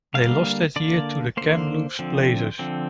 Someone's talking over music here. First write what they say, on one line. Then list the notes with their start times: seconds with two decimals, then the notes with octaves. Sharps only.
They lost that year to the Kamloops Blazers.
0.14 D3 G3 A#3 F5
0.76 D3 A#3 D5
1.37 D3 A#3 C5
1.99 D3 F3 C4
2.59 D3 F3 C4